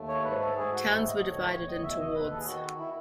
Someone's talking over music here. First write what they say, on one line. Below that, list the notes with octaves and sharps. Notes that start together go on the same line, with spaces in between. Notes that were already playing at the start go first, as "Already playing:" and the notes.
Towns were divided into wards.
Already playing: D#2 A3
C#5
G#2 B4
A4
G#2 G#4
F#4
A2 E4
D#5
A2
C#5
E2 C#5
D#5
B2 E5
D#5
D#2 B4
A4
G#4
D#3 F#4
E4